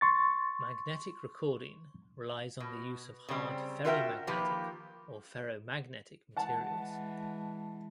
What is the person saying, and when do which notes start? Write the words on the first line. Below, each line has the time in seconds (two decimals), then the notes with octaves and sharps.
Magnetic recording relies on the use of hard ferrimagnetic or ferromagnetic materials.
0.01 C6 C#6 A6
2.60 B2
3.29 C#3 G3 C4
3.85 F4 F#4 A#4 E5 F5 G5
4.27 D#3 F3 A#3 G4 B4
6.37 E3 G#3 F#5 A5